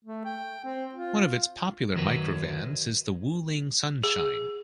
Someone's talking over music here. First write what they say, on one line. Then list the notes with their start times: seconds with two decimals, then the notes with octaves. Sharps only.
One of its popular microvans is the Wuling Sunshine.
0.05 A3
0.25 G5
0.65 C4
0.95 F4
1.95 F#2 D#3 F#3 A#4 B4
4.04 G#4